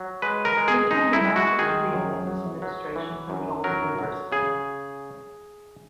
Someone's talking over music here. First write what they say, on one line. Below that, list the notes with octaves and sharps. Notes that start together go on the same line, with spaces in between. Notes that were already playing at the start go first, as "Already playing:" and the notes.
He attained a master's degree in business administration from the Open University.
Already playing: F#3
G#3 B4
A#4
G#3
G#4
G#3 D#4
E4
G#3
F#4
D#3 G#4
F#2
F#3
F#3
E3
F#2
F#3 A#4
F#3
C#3 G#4